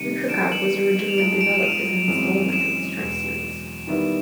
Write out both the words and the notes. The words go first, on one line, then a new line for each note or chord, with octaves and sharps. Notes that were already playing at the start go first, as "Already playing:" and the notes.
"Future Cop" was originally developed as an installment of the "Strike" series.
Already playing: C3 D#3 G3 C#7 D#7
E3 G3 B3 D4 D7 E7
E7 F#7
F7
G#2 F3 G#3 D7 E7
D7 E7
E7
D#7 F7
F#2 C#3 E3 G#3 C4
D7 E7
E2 B2 G#3
D#3 G3 B3 E4